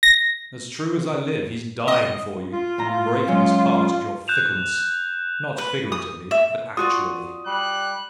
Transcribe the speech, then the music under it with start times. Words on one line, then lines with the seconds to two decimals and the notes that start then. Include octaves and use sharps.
As true as I live, he's dying for you; breaking his heart at your fickleness: not figuratively, but actually.
0.03 A#6
1.88 D#5
2.53 F4
2.78 A2 A3 A#5
3.28 F#3 G#3 C#4
4.28 F#6 G6 E7 F7
5.58 B4
5.92 D#6
6.31 E5
6.77 F4 F#4 D5 D#6
7.46 G3 F#6